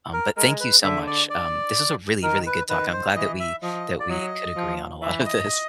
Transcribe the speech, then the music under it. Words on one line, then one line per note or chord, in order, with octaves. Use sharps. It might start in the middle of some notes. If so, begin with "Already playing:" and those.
Um, but thank you so much. Um, this is a really, really good talk. I'm glad that we that we could agree on a lot of this.
A#4
G#3 A#4
B4
D3 E5
D5
D5
D#3 A#4
B4
D#3 B4
C5
E3 D#5
E5
F3 D#5
D5
F#3 D#5
F3
E3 E5
D#5